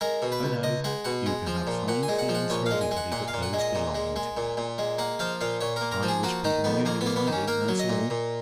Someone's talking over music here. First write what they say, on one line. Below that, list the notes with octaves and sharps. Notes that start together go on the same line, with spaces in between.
Oh, no! you can have fine feelings for everybody but those belonging to you. I wish people knew you, as I do--that's all.
G#3 A#4
B2
B4
C#2
C#2 D#5
G#3 F#5
B2 F#5
G#3
F3
A#2
A#2 F#5
G#5
G#3
F#5
F3
F#5
A#2 C#5
G#3 F5
G#5
G#3
F#5
A#2 F#5
F5
A#2
F#5
G#3
D#5
A#2
G#3
G#3
A#2
A#2
G#3
A#3 F#5
F3 F5
A#2 F5
A#2 C#5
A#3 A#4
A#4
F3
G#4
A#3 F#4
D#3 D#4
F2 B3
F2 A#3
B3
A#3
B3
D#3
C#4
A#3 A#4
F#3
D#5
A#2
A#2